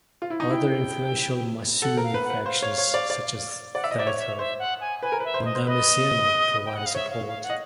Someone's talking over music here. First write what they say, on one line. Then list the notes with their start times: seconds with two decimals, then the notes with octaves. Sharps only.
Other influential Masyumi factions, such as that of Wondoamiseno, provided support.
0.22 F4
0.30 E4
0.40 D#4
0.50 E4 G5
1.82 A4 F#5
1.97 A#4
2.04 F5
2.14 B4
2.24 F#5
2.30 B4
2.46 C5 F5
2.62 C#5
2.78 C#5
2.94 D5
3.10 D5
3.75 D5 F#5
3.84 E5
3.91 D#5
3.95 D5 E5
4.07 C#5
4.18 E5
4.39 C5 E5
4.59 F#5
4.81 G#5
5.03 B4 G#5
5.12 A#4
5.20 B4 E5
5.34 C5
5.45 D#5
5.55 C5
5.67 B4 D#5
6.66 G5
6.76 F#5
6.86 F5
6.95 C#5 E5
7.11 F5
7.28 F5
7.43 F#5
7.50 D#5